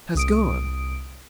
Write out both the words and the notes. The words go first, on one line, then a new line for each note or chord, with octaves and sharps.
"Has gone."
C2 D#6 D7